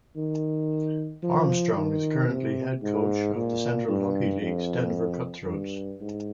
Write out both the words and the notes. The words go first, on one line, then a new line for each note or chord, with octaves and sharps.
Armstrong is currently head coach of the Central Hockey League's Denver Cutthroats.
D#3
F3
D#3
C3
G#2
A#2
G2
F2
G2
G#2